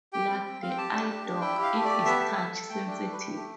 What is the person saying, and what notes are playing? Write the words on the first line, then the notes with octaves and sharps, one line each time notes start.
Like the iDog, it is touch-sensitive.
G4 G5
C4
C4
C4 F5
G5
G4 A5
D4
G4
D4
E4 G5
G4 F5
A3
D5
G4
B3 E5
A4
A4
A4
A3 G5
D4 G5
A3
B4
G4
A3